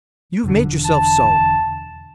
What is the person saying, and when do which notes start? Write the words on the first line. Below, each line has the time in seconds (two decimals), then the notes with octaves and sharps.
You've made yourself so.
0.44 E1 E2 D3
0.85 A5